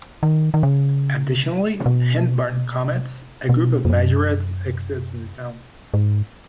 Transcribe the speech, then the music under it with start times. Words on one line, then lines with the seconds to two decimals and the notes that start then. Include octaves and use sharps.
Additionally, "Hyndburn Comets", a group of majorettes, exists in the town.
0.23 D#3
0.54 D#3
0.63 C#3
1.86 B2
3.49 B2
3.85 F2
3.90 F#2
5.94 G#2